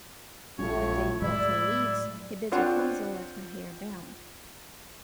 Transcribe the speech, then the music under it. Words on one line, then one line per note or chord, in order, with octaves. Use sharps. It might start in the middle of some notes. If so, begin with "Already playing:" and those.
When Dame Gothel leaves, he bids Rapunzel let her hair down.
A#1 A2 G3 A3 C#4 F4 C#5
A2 F#3 G#3 E4 D5
C4 D4 F4 C5 C#5 F#5